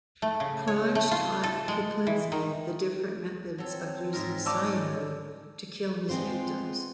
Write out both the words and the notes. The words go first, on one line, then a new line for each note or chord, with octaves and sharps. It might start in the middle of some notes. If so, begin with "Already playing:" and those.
Pronge taught Kuklinski the different methods of using cyanide to kill his victims.
A3
C#3
C#5
A3
F4
A4
G#3
E3
D#3
F#3 C4 A4
G#2 A#4
C#4 D#4 D5 A5 D6 E6
G#3 B3 C4 F4 C5